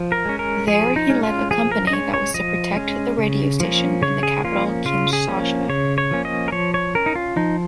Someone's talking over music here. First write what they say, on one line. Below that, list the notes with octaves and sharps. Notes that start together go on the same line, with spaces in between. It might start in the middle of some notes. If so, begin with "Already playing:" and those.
There he led a company that was to protect the radio station in the capital Kinshasa.
Already playing: F3
A#4
G#3 C#4
A#4
F3 G#4
D#4
G#3 C#4
F4
F3 G#4
A#4
D#5
G#3 C#4 C#5
C#5
F3 D#5
G#3 C#4
C#3
F3 A#3 C#4
C#3 C#5
G#4
F3 A#3 C#4 F4
C#3 F4
G#4
F3 A#3 C#4
C#3 C#5
C#5
F3 A#3 C#4
D#5
A#4
F3 C#5
C#5
C#4 A#4
D#4
F4
F3 D#4